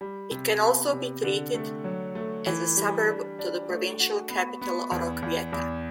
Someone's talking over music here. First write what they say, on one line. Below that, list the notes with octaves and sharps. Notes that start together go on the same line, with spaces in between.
It can also be treated as a suburb to the provincial capital Oroquieta.
G3
C3
B3
C3
D3
A3
F#3
A3
E3
G3
D4
D4
A3
F#4
B3
B3
E2
E2
E2